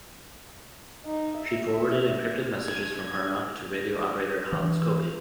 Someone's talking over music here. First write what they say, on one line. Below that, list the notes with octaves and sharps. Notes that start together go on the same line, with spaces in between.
She forwarded encrypted messages from Harnack to radio operator Hans Coppi.
D#4
E5
G#6
E3